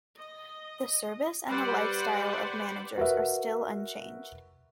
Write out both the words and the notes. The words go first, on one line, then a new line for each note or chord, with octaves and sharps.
The service and the lifestyle of managers are still unchanged.
D#5
G3 B4 C5 D5 F#5
F#4 A#4 B4 E5